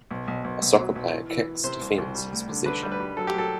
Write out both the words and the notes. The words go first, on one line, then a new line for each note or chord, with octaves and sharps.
A soccer player kicks defends his possession.
B1
B1
B1
B1
F#3
B1
E3
E3
E3
C3 C5
C2
C2
G3
D2
D3
D3 B4
G3
B4
G3
F#3 A4
G4
F#3 A4